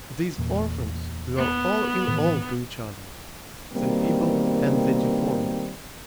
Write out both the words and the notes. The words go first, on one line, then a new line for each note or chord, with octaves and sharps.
These orphans were all in all to each other, the feeble and the deformed.
E2 A#2
B3
A2 D#3 E3
B2 D#3 G3 A#3 C4